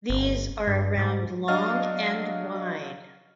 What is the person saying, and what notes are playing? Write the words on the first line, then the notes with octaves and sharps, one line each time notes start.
These are around long and wide.
G1
G2
G#2
F#3 D4 D#5 F5 F6 A6